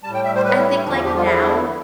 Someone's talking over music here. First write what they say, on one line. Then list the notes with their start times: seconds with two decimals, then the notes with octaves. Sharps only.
I think, like, now,
0.03 G3 A5
0.07 A2
0.14 G5
0.24 E5
0.35 C5
0.44 B4
0.58 E4
0.71 E4
0.85 E2 D3 F3 D4
0.94 E4
1.05 G4
1.15 F4
1.25 E4
1.68 D3